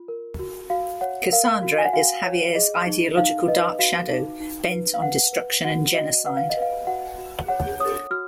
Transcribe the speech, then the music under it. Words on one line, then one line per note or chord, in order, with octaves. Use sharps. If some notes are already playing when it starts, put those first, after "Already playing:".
Cassandra is Xavier's ideological dark shadow, bent on destruction and genocide.
Already playing: F4
A#4
F#4
F#4 F5
C#5 F#5
A#4 F5
F#4
G#5
F#5
F#4 F5
C#5
G#4 D#5
D#4
D#4 F5
B4 D#5
F#4 F5
D#4
D#4
B4
F5
B4 F#5
B4
F#4 F#5
F#4 D#5
B4 F#5
F5
D#5
B4 F5
F#4 F#5
F#4
C#5 F#5
C#5 D#6
F#4 F6